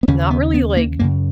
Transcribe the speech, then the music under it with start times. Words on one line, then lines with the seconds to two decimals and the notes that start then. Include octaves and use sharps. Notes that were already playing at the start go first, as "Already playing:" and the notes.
not really, like,
0.03 B3
0.08 D#2 C#3 C#4
0.30 B3
0.54 B3
0.77 A#3
0.99 F#2 C#3 A#3